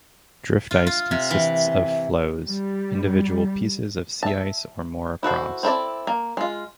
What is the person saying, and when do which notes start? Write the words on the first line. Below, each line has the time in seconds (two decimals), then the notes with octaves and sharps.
Drift ice consists of "floes", individual pieces of sea ice or more across.
0.71 F4
0.86 F4
1.11 C3
1.31 E3
2.48 G3
4.23 E5 A5
5.23 E4 F#4 A4 C5
5.63 C4 E4 A4 D5
6.07 A#3
6.37 G#3 F4